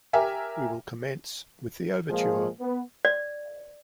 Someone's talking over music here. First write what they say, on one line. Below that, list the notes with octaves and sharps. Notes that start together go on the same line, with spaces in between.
We will commence with the overture.
G4 A#4 E5 G#5
A#2 F3 G#3 F4 G#4
B3
D5